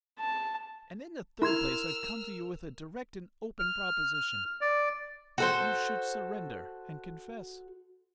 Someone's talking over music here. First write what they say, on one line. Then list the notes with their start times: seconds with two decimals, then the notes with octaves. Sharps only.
And in the third place I've come to you with a direct and open proposition--that you should surrender and confess.
0.20 A5
1.42 E4 A#4 C6 E6 F6 G#6
3.59 F6
4.14 F6
4.61 D5
5.38 F#4 A4 C5